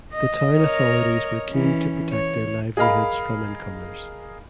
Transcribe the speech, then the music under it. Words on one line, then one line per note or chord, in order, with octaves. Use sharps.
The town authorities were keen to protect their livelihoods from incomers.
D#5
A#4 C#5 D#5
E3 C#4
C#5
G#4 A#4 D#5 F5 B5